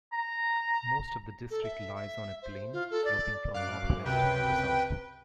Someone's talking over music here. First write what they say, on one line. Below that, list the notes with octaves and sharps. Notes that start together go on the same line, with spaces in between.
Most of the district lies on a plain sloping from north west to south.
A#5
A4
E5
E5
C5
F4
A4
D5
F#2 F5 D6 F#6
C#2 C3 B4 G5